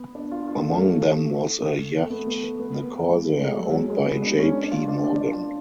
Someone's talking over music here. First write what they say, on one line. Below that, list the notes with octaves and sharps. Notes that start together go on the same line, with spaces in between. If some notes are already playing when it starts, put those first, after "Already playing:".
Among them was a yacht, the "Corsair", owned by J. P. Morgan.
Already playing: B3
D4
F4
F4
A3
A3
B3
B3
B3
B3
B3
G#3
A3
G#3
F#3
G#3
F#3
G#3
B3
D4
C#4
D4
F4
D4
D4
D4
F4